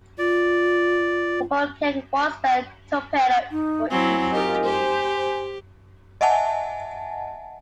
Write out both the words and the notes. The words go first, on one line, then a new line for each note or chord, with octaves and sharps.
The boat carried one spare torpedo for each tube.
F4 D5
D#4
F#3 C4 E4 G#5
D#4 F4 G4 A#4
G4 C5
D#5 E5 F#5 G#5 A5